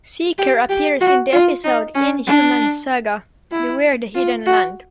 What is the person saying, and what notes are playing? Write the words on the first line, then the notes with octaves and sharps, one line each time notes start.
Seeker appears in the episode "Inhumans Saga: Beware the Hidden Land".
G4
G4
F#4
F4
D#4
C#4
D4
E4
F4
F#4